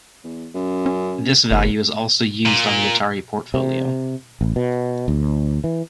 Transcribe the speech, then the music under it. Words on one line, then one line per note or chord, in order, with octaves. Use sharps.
This value is also used on the Atari Portfolio.
E2
F#2
C#4
F#1 D#2
A#2
C3
A1
B2
D2
E3